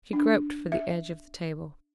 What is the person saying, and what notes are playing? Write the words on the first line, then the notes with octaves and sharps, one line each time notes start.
She groped for the edge of the table.
D4
E5